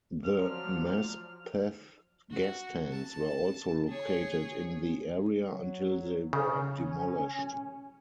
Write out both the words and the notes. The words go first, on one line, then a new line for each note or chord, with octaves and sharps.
The Maspeth gas tanks were also located in the area until they were demolished.
F3 F#3 D5 F6
F#4
A5
G#4 C#5
F#3
C#3 C#4